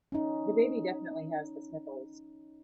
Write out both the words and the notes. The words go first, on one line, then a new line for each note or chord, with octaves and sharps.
The baby definitely has the sniffles.
C#4 D#4